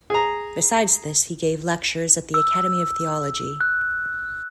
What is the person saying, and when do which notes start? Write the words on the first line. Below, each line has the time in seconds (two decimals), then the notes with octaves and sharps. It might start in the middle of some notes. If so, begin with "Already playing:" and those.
Besides this he gave lectures at the academy of theology.
0.10 G#4 A#5
2.34 E6
3.61 F#6